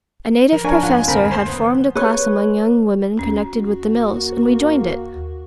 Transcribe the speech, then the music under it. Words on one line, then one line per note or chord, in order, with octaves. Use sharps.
A native professor had formed a class among young women connected with the mills, and we joined it.
F3 A#4
D4 A#4 C#5 G#5
G#2 F4 F#5
F#1 D2 D#3 C4 A#4 B5
C5
B3
B4 C#5
D#2 C#4 F#4
A#3